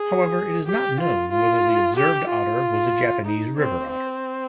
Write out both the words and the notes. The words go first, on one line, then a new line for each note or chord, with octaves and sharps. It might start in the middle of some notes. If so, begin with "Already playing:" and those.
However, it is not known whether the observed otter was a Japanese river otter.
Already playing: G#4
G4
F4
F4
G4
F4
D#4
C4
C4